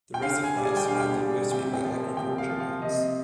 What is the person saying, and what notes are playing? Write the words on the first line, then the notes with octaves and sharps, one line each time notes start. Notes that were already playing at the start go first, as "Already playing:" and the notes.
The reservoir is surrounded mostly by agriculture lands.
G5
D3 F5
G#5
G3 D4 G#4
G#5
G5
D3 F5
G5
G3 D4 G#4
C3 G5
G5
F3 A#3
C3 G5
F5
F3 A#3
F5
C3 D#5